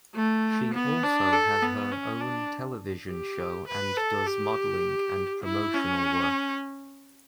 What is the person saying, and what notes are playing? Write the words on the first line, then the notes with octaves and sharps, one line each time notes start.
She also has her own television show and does modelling and promotional work.
A3
B3
D4
A4
B3
C#4
D4
G4
B4
A4
G4
E4
C#4